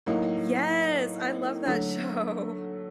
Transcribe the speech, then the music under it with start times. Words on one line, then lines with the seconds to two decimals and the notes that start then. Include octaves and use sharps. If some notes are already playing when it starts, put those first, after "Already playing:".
Yes! I love that show.
0.06 A2 F#3 A#3 D#4
1.65 D3 F#3 A3